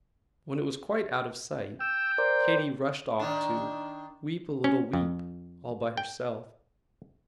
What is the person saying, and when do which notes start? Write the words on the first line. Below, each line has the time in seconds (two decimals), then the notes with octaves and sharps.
When it was quite out of sight, Katy rushed off to "weep a little weep," all by herself.
1.80 G5 E6
2.18 A#4 C5 D5
3.19 D#3 D4
4.64 C#4
4.93 F2
5.97 G5